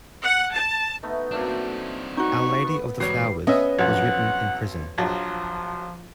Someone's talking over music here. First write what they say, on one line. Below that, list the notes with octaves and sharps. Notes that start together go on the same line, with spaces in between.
"Our Lady of the Flowers" was written in prison.
F#5
A5
A3 B3 D#4
F#3 A3 A#3 C4 D4
D#4 F#4 C#6
B3 B4
E2 G#2 G3 F#4 C#5 C7
B3 C#4 D#5 E5
B1 F2 F#5
A#1 F3 F#3 A5